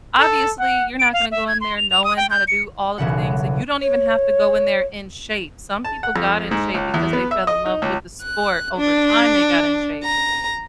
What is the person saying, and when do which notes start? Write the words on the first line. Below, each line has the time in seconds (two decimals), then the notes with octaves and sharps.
obviously, you're not gonna go in there knowing how to do all of the things, and you don't even have to go in there in shape. Some people got in shape because they fell in love with the sport. Over time, they got in shape.
0.20 A4
0.59 F#5
0.99 D7
1.13 F5
1.31 E5
1.48 G#6
1.61 C6
1.77 F7
1.90 F7
2.04 D#6
2.17 G5
2.30 G6
2.48 C#7
2.98 E1 B1 C#3 F#5
3.82 C#5
5.84 A5
6.03 F#5
6.16 F2
6.51 G#2
6.74 C#2
6.94 E2
7.13 B3
7.31 E5
7.47 D#5
7.66 D#4
7.82 C#2
8.22 F#6
8.77 D4
10.03 A#5